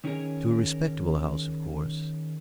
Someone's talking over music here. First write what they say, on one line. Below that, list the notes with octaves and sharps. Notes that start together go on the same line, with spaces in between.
"To a respectable house, of course."
D#3 C#4 G#4 A#4 C#5